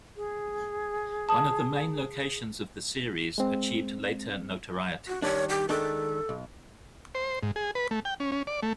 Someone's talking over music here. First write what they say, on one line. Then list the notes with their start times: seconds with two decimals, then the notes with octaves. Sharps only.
One of the main locations of the series achieved later notoriety.
0.16 G#4
1.29 A5 D#6
3.38 G#3 C4
5.07 F#4
5.22 D#3 G3 D4 C#5
5.49 G4
5.69 D#3 G#3 D4 A4
6.29 B1
7.15 C5
7.43 G#2
7.56 G#4
7.75 B4
7.91 A3
8.05 G5
8.20 C#4
8.32 C#4
8.47 D5
8.63 A3